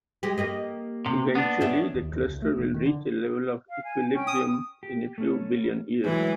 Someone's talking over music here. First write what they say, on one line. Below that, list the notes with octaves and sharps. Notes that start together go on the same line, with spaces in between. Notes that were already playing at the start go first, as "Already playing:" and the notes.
Eventually, the cluster will reach a level of equilibrium in a few billion years.
G#3 G4
A#3 G4 D#5
C3
B3 D4
C#4 E5
D#2
D#2
C#2
A3
E1
D#3
D3
F5
G#5
C#4 G5
D#6
G4
A3 C#4
E3 F#3 G#3 A3